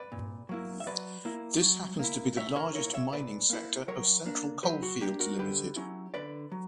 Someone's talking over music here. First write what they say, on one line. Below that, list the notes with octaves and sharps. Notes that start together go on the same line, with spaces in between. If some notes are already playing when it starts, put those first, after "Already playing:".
This happens to be the largest mining sector of Central Coalfields Limited.
Already playing: B4 D5
A#2
F#3 A#3 E4
E5
F#3 B4 D5
A#3 E4
F#3
A#3 E4
A#2 C#5 E5
A#4 C#5
A#3 E4 A#4 C#5
C#5 E5
A#2 B4 D5
A#3 E4
F#3 A#4 C#5
A#3 D4
F#3 G4 B4
F#4
A#3 D4 G4
F#4 A#4
D3 G4 B4
F#3 C#4 E4
D3 B4 D5
F#3